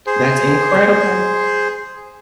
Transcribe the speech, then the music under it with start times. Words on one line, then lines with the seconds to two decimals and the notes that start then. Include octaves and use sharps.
That's incredible.
0.07 G#4 C5